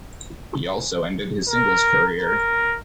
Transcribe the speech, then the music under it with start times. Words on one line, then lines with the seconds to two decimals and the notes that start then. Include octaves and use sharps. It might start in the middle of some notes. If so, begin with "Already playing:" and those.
He also ended his singles career.
1.47 A#4
2.19 A#4